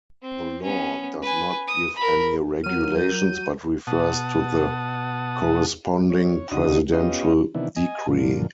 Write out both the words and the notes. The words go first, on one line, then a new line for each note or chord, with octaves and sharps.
The law does not give any regulations, but refers to the corresponding Presidential Decree.
C4
B3 C#4
B4 G#5
D#6
A#4 B5
F#3 F4 A#4 F6 D#7
G6
B2 F#5 A5 D#6
C#5
D2 C#3 D4 D#4 F#4 D#6
B3 C#4 F4 G4 D#5
C3 D#3 E3 B3 D4 E4
D#5 G#5
F#2 A#2 D3 F3